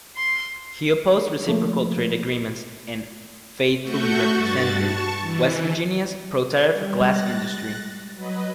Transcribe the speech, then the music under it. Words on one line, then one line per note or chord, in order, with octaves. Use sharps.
He opposed reciprocal trade agreements and "faithfully represented" West Virginia's pro-tariff glass industry.
C6
F3 A3 A#3
A3 F#4 C#6 G6
G2 F#4 A6
A5 C#6
E3
G3
G3 G#3 F#6 A6 A#6
F#3 B4 D#5